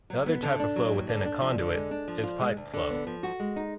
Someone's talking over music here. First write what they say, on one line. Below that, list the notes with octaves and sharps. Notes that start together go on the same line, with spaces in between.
The other type of flow within a conduit is pipe flow.
F#3
B3
D3
D4
F#3
D#2
D3
D4
F3
D3
G#3
D4
F3
F4
G#3
D2
D3
B3
F3
F#4
G#3
D#4